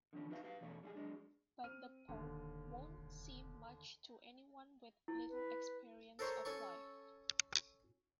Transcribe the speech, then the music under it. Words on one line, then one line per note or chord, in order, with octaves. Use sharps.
But the poem won't seem much to anyone with little experience of life.
D3 D#3 F3 C#4
D#4 E4 F#4 B4 E5 F5
G4 B4 F5
E2 B2 A3 C#4
G3 F4 G#4
F#3 G#3 D4
C4 F6 D#7
E1 D#2 D3
E1
E4
B4
A4 A#4 C5 C#5
C#4 A4 C#6